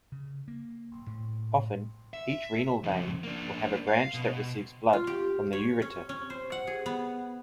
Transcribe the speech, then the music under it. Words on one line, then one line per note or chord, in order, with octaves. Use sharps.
Often, each renal vein will have a branch that receives blood from the ureter.
C#3
A#3
A2
E5
F2 C#3
A#3 D4
F5
B2
F4
G4
C#5
C#4
C#4
C5
F#5
G#4
B3